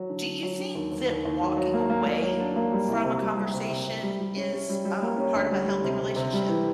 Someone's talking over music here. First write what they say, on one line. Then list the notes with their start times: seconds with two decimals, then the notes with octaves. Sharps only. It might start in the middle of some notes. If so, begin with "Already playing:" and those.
Do you think that walking away from a conversation is, um, part of a healthy relationship?
Already playing: F#3
0.10 D3
0.25 D3
0.43 F#3
0.59 D3
0.75 D#2
0.92 D#2
1.08 D#2
1.25 D#2
1.41 F#3
1.57 F#3
1.74 A#3
1.90 A#3
2.06 A#3
2.22 F#3
2.40 D4
2.56 A#3
2.73 G3
2.88 C2
3.04 C3
3.21 G3
3.37 G3
3.54 C3
3.70 C3
3.87 C3
4.03 G3
4.20 G3
4.36 C#4
4.52 C#4
4.69 G3
4.85 G3
5.02 A#3
5.17 C#4
5.35 D2
5.51 G3
5.67 G3
5.84 C3
6.00 C3
6.16 C3
6.33 G3
6.49 E3